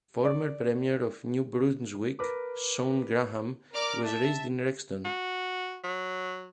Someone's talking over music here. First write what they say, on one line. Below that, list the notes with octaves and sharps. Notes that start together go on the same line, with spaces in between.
Former Premier of New Brunswick, Shawn Graham, was raised in Rexton.
D5
A#4 B4 D6
A#4 D5 D6 F6
E5 A5
F#4
F#3